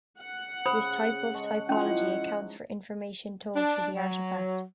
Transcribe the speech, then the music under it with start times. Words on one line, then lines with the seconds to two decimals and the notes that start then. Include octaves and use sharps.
This type of typology accounts for information told through the artifact.
0.17 F#5
0.66 C#3 C5 B5 D#6
1.34 G#3 A5 C#6
1.69 F3 C#4 D#4 E4 F#5 C6
3.55 D4
3.96 F#3